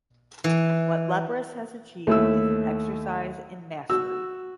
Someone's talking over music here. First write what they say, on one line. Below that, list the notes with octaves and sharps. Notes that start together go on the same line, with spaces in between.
What Leprous has achieved is an exercise in mastery.
E3
D#2 A3 E4 E6
F#4 E6